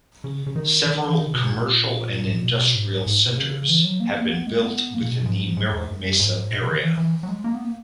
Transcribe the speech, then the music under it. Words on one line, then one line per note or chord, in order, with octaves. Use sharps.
Several commercial and industrial centers have been built within the Mira Mesa area.
C#3
C#3
D#3
D#3
E3
D#3
C#3
B2
A#2
G#2
A#2
B2
G#2
G#2
B2
C#3
E3
F#3
A#3
B3
A#3
B3
G#3
B3
A#3
A#2
B2
G#2
G#2
E2
F#2
G#2
A#2
B2
C#3
D#3
E3
E3
F#3
G#3
A#3
B3
A#3